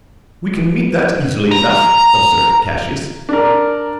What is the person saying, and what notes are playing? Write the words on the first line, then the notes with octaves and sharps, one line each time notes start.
"We can meet that easily enough," observed Cassius.
A#5
D4 A#4